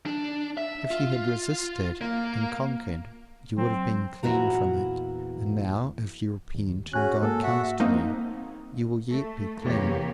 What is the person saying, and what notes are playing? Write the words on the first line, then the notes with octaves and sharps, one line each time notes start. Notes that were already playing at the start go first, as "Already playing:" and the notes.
If you had resisted and conquered, you would have been clean from it; and now, if you repent and God comes to you, you will yet be clean.
D4
E5
F4
A#3
F#3 C4
E2 A#2 E4 F#4 F#5 A#5
D#2
C#4 F#4 G#4 G#5 F#6
G#2 A#3 A4
F#4 E5 F#5
A#3 C4 D#4
A3
E2 C3 E3 A#3 G4 C#5